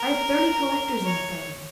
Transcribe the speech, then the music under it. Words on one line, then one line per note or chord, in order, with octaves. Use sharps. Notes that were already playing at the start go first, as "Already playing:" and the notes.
I have thirty collectors in the family.
Already playing: A#4
C#5